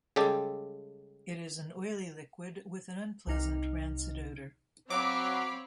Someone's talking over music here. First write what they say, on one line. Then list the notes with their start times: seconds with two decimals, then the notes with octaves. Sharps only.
It is an oily liquid with an unpleasant, rancid odor.
0.16 C#3 G3 G#3 G4 A4
3.27 C2 C3 D#4 F6
4.90 F#3 C4 C#5 F5 B5 D6